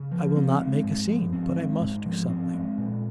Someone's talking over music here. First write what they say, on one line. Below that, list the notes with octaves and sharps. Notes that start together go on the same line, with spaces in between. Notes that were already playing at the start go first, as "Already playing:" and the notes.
'I will not make a scene, but I must do something....
Already playing: C#3
F3
C4
G#3
G#2
F3
C4
G#3
G#2
F3
C4
G#3
A#2